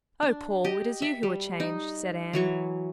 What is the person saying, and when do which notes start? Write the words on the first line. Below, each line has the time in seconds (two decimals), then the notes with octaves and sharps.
"Oh, Paul, it is you who are changed," said Anne.
0.23 D4
0.64 G4 D#5
1.02 E5
1.23 G3
1.60 D#4
2.33 E3 F#3 C#6